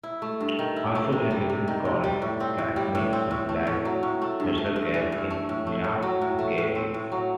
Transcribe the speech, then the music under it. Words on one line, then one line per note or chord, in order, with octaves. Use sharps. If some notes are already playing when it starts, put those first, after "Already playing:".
Also, a business called Gasmig supplies natural gas in Minas Gerais.
E4
A3
G2
D#3
E4
A3
C3
G3
C3
D#3
C3
G3
A2
C4
A2
G3
A2
C4
A2
A3
A2
F#3
A2
A3
G2
A3
G2
E3
G2
A3
A2
A3
A2
F#3
A2
A3
A2
C4
A2
F#3